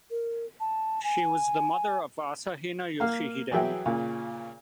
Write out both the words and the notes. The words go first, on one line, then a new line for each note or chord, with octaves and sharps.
She was the mother of Asahina Yoshihide.
A#4
A5
G#5
A#3 F5
E3 F#3 G#4 E5 G5
A#2 C#3